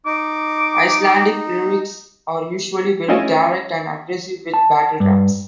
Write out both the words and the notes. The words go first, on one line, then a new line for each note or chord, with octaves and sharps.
Icelandic lyrics are usually very direct and aggressive, with battle raps.
D#4 D6
A3 C#4 E4 F4 D#5 G#5
A5
G2